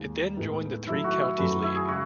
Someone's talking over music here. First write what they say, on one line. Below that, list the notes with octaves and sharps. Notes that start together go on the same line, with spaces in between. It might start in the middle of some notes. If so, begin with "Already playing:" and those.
It then joined the Three Counties League.
Already playing: D#2 D#3 G#3
A2 G#3 B3 D#4
D#3 F#3 A3 E4
F#4
E4
F#2 D#3 F#3 A3 B4
E4
G#4
C#3 G#3 F#4